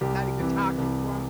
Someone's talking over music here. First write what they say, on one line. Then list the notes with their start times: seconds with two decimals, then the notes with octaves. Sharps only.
Not even talking to him?
0.01 C2 G4
0.40 C3 E3
0.78 C2